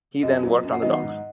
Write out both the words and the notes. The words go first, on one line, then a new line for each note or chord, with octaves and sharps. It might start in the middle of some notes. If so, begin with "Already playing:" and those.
He then worked on the docks.
F#2 D#5
F#3 B3
F#2
F#5
D#3 F#3 B3 D#4 D#5
F#5
G#2